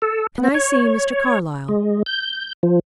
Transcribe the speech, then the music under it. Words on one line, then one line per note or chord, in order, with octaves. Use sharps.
"Can I see Mr. Carlyle?"
A4
B3
C#5
G#3
G6
F3